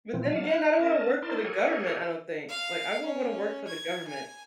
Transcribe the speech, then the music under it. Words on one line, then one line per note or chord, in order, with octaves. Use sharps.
But then again, I don't wanna work for the government, I don't think, like, I won't wanna work for the government.
A#2 E3 F3 C4
F#3 G3 F5 A5
F5 F#6
C#4 A#4 D#5 A5
D#4 E4 A#4 D5 A5 C6
G4 A4 A#4 C#5 F#5 G#5
F5
C#4
G#6
G#5